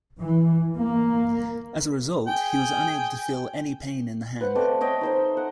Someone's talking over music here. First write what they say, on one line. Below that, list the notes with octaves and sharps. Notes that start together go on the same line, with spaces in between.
As a result, he was unable to feel any pain in the hand.
E3
A#3
G#4 G5
B4 C5 F#5
A3 C4 D5 D#5
C5 C#5 D#5 G5
D#4 C5 C6
F#5